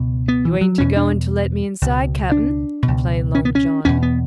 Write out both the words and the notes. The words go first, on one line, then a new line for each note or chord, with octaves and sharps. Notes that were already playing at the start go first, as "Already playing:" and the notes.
"You ain't a-going to let me inside, cap'n?" complained Long John.
Already playing: C#2 B2
B3
E3
F#3
E2 B2 C#4
D4
C#2 B2
D4
B2
C#2
C#4
B3
C#4
E2 B2 C#4
B3